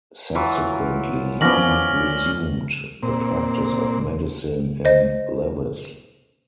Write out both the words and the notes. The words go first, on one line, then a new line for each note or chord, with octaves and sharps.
Subsequently, he resumed the practice of medicine in Lewes.
E3 F#3 F4
D#3 F3 B3 C#4 D5 F6 A#6 F#7
A#2 C4
C5 D#5